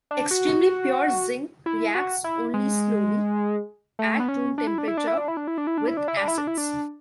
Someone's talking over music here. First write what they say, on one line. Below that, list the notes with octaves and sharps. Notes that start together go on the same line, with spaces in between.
Extremely pure zinc reacts only slowly at room temperature with acids.
D4
F#4
E4
F#4
E4
G#3
A3
B3
C#4
D4
E4
D4
E4
D4
E4
D4
E4
D4
E4
D4
E4
D4
E4
D4
E4
D4
E4
D4
E4
D4